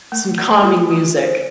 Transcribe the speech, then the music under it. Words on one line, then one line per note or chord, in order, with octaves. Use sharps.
some calming music.
A3
A3
F4
F4
C5